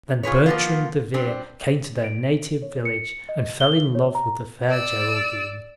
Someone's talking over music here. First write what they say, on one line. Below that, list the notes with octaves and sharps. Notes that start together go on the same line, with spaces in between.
Then Bertram DeVere came to their native village and fell in love with the fair Geraldine.
F4 G#4 B4 C#5
F3 A#3 B3 F4
G3 C4 D4
D7
C#5
C#7
D#5
G7
C#5
A#5
D5 E6